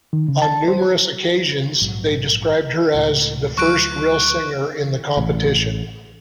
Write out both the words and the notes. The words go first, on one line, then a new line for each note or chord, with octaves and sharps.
On numerous occasions they described her as, "the first "real" singer in the competition".
D#3
C#3
A5
C5
A#1 G#2 F#3
C#2 A2
D2 F#3 C#6 F#6 D7
A1